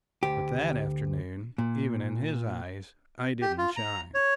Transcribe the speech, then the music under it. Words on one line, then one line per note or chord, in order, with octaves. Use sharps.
But that afternoon, even in his eyes, I didn't shine.
D2 G4
A#2
G4
F4
A#5
C#5